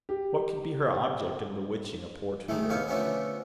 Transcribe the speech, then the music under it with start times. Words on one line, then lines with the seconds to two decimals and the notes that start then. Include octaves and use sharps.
What could be her object in bewitching a poor tutor?
0.09 G4
2.49 A2 D#3 G#3 A3
2.69 D#2 D#3 B3 F5 C#6
2.88 D3 F3 A3 B3 C#4 D4